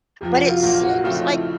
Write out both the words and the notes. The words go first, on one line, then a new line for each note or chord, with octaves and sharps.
But it seems like
F2 C3 F3 G4
F#4
F4
A#1 A#2 F#3 A#3 F#4
F#4
C#3 F3 A3 C4 D#4 F4
E4